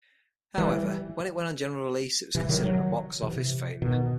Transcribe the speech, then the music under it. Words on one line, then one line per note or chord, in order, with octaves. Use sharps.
However, when it went on general release it was considered a box office failure.
E3 G3
C3 E3
D#3 F#3
D#3 F#3
C3 E3
B2 D#3